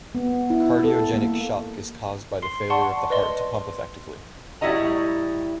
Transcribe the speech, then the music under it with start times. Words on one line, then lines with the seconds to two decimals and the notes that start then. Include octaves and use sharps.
Cardiogenic shock is caused by the failure of the heart to pump effectively.
0.15 B3
0.50 E4
0.84 A4
1.14 A#3
2.42 C6 C7
2.70 D5 F#5 A5 C6 C#6
3.10 B4 D5 D#5 C6
4.61 A2 G3 E4 F#4 D#5 A#5